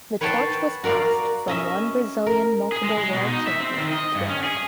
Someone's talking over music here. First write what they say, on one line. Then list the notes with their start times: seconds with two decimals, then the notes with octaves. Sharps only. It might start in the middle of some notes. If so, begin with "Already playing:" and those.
The torch was passed from one Brazilian multiple World Champion to another.
0.21 B4 C#5 F#5 G5 A5 C6
0.84 F#4 A#4 D5 F5
1.48 C#4 D#5 E5
2.26 A#4
2.72 G#4
2.84 G#3
2.98 G#3
3.13 B2
3.27 D#4
3.47 E5
3.60 C4
3.78 D#3
3.91 D#5
4.15 G2
4.29 C#4
4.44 G#4